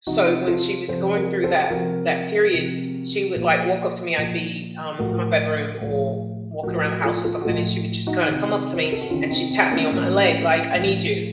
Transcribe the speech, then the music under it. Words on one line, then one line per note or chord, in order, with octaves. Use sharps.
so, when she was going through that that period, she would, like, walk up to me I'd be, um, in my bedroom or walking around the house or something, and she would just kinda come up to me, and she'd tap me on my leg like, "I need you."
C3 F3 D#4 F#4
F4 A4
C3 F3 A4 C5
F#4 A#4
A4 C5
C3 F3 F#4 A#4
C3 F3
A#2 F3
A#2 F3
A2 F3 F#4 A#4
A2 F3
A2 F3 F#4 A#4
F#4 A#4
F4 A4
F4 A4
F#4
A2 F3 F4 A4
D#4 F#4
C3 D#3
C5
A#4
A4
F#4
C3 D#3 C#4 F4
C4 D#4
C4
A#3 C#4
A2 F3
A2 F3